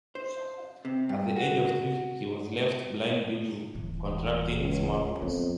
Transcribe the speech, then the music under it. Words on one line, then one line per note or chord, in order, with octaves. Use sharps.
At the age of three, he was left blind due to contracting smallpox.
C5
C3
G2
F#4
D1 E3
C#2
F2 B3